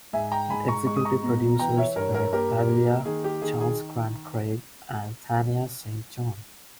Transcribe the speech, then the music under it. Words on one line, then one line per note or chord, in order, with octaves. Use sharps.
The executive producers were Paglia, Charles Grant Craig, and Thania Saint John.
G#2 E5 G#5
G5 A#5
G#2 G#5 B5
A#5 C#6
G#3 C#6
D#6
A#5 C#6
B2
E3 G5 A#5
C#5 E5
G2 A#4 C#5
A#4 C#5
A#3 G4 A#4
A#3
D#3 G#4
G4
D#3 G#4
G#4